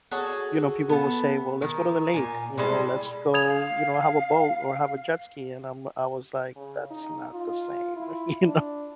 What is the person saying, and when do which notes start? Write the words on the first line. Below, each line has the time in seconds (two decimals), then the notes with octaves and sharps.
you know, people will say, "Well, let's go to the lake," you know, "Let's go," you know, "have a boat or have a jet ski," and I'm I was, like, "That's not the same," you know.
0.11 F#4 G#4 A4 C#5
0.89 B3 A4
1.62 D#3
2.14 A#2 G#5
2.58 G3 G#3 E4 A4
3.34 D#6 G#6 F7
3.47 F5
6.56 C#3
6.91 D#4
7.33 F4
7.96 E4
8.44 D4